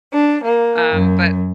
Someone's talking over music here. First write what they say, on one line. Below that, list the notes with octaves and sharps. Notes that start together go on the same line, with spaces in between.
um, but
D4
A#3
F#2